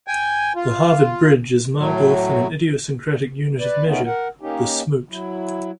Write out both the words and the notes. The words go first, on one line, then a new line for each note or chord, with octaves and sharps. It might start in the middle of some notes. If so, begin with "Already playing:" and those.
The Harvard Bridge is marked off in an idiosyncratic unit of measure, the "smoot".
G5 G#5
F4
A2 F#3
B4 D5
A3 B3 C#4 D#4 F4
A#4 F#5
A#3 C#4 D#4 G4
F#3 E4